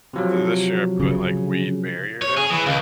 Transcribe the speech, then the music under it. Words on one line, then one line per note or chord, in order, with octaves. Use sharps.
So this year I put, like, weed barrier down
C3 F3 F#3
C#3
C#5
G#4
E3
C#2